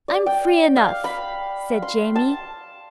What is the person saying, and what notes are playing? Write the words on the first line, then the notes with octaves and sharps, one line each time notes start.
"I'm free enough," said Jamie.
D5
G5
F5
B5
C6
A5